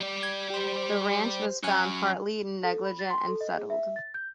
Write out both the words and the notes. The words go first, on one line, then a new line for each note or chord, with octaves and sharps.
The Ranch was found partly negligent and settled.
G3 D5
G#6
G4 C5
F#3 C#4 G#5 F6 F#6
A4
B5
A6
C6
A4
D#5
G#4
E5
A6
G6